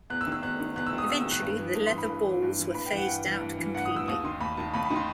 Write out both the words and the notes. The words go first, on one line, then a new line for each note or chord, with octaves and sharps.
Eventually, the leather balls were phased out completely.
E2 F#6
E6
D#3
E6
E2 F#6
D#3
E2 F#6
E6
D#3
D#6
E2 E6
E6
D#3
F#6
G2
E3
G2
C6
E3
B5
G2
E3
G2
E3
G2 B5
G5
E3
F#5
G2
E3
G2
E3
G2 F#5
D#6
E3
E6
D#2 D#6
D#3 C6
D#2 B5
D#3 A5
D#2 B5
B5
D#3
C6